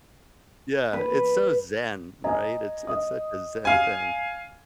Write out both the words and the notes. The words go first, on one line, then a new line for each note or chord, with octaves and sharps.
Yeah. It's so Zen, right? It's it's such a Zen thing.
B4
D#5 G#5 A#5
D#5 D#6
F5 G#5